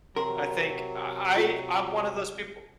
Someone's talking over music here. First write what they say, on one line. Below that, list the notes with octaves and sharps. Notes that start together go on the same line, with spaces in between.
I think I I I'm one of those people
C3 F#3 A#4 F#5 A#5 C6
F4